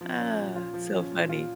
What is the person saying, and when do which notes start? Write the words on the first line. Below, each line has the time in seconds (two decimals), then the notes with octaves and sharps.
Uh, so funny.
0.01 F3
0.19 C#4
0.37 A#2
0.55 F4
0.74 F3
0.93 C#4
1.11 A#2
1.29 F4